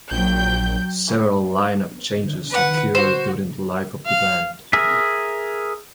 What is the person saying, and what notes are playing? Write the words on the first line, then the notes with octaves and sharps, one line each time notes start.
Several line-up changes occurred during the life of the band.
A#1 F#3 G5 G6
B4 F#5
F#4 C5
F5
G#4 A#4 E5